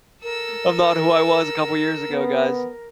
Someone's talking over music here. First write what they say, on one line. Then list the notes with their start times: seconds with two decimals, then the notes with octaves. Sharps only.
"I'm not who I was a couple years ago, guys."
0.23 A4 A#4 E6
2.11 B3